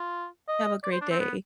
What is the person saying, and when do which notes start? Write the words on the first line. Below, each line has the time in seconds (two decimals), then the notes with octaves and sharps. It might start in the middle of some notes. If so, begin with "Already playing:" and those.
have a great day
Already playing: F4
0.48 D#5
0.83 D5
0.92 C5
1.01 D4
1.11 C4
1.19 B3